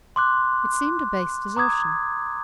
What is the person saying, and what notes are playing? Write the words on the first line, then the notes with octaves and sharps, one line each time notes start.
It seemed a base desertion.
C6 D6 F#6
A#5 D6 D#6 G#6